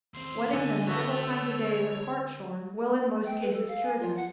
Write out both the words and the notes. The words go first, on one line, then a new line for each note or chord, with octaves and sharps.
Wetting them several times a day with hartshorn will in most cases cure them.
D#2 C4 C6
C#2 D3 A4 G#5
A3 B3 F#4 C#5 E5
G5
B4
A4
F5
G#5
F4
F#5